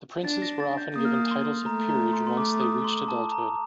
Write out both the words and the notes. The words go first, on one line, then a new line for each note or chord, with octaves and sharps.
The princes were often given titles of peerage once they reached adulthood.
D4 A6
A#6
A6
G6
A#3 D#6
F6
D#6
C6
A3 A#5
A#5
C6
C6
D6
D#6
C6
A5
A#5